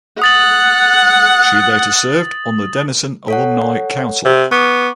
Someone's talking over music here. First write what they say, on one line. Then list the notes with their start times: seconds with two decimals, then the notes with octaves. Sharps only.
She later served on the Denison Alumni Council.
0.22 F#5 D#6 A6 F#7
3.28 A4 C#5 F#5
4.25 C3
4.51 B3 C#6 D6